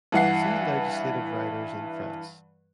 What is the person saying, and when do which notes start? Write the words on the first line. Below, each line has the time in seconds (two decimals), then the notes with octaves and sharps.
"See legislative riders in France".
0.12 G2 E3 F#5 C7